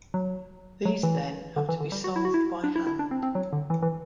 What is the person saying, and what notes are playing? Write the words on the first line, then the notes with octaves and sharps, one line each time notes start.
These then have to be solved by hand.
F#3
F#3
E3
D3
E3
D3
G3
F#4
E4
F#4
E4
D4
E4
E4
D4
C4
C4
F#3
D3
E3
E3